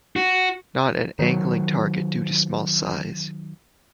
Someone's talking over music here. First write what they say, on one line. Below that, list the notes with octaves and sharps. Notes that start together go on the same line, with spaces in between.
Not an angling target due to small size.
F#4
D#3 F#3